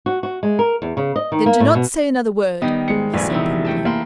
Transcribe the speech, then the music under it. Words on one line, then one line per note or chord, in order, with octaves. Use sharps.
"Then do not say another word," he said, promptly.
F#4
F#4
G#3
A#4
E2
C#3
D#5
D#3
A#3
A2
B2
D#3 G3 B3 D#5
G#2 G#3 C#7
A#1 F4 B4 G#5
E1 E2 C3 D#4 E4
A3 G5 A5
A#3 B5 C6